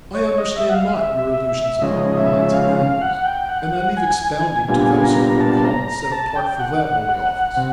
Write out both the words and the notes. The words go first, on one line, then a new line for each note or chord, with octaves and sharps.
I understand not your allusions about lines and angles; and I leave expounding to those who have been called and set apart for that holy office.
C#5
D#5
E5
F#5
F5
E5
C#3 F3 G#3 C#4 D#5
E5
F5
F5
F#5
G5
F#5
F#5
G#5
G#5
A#2 G3 B3 D4 F4 G#5
A#5
A5
A#5
A#5
A5
G5
F#5
C3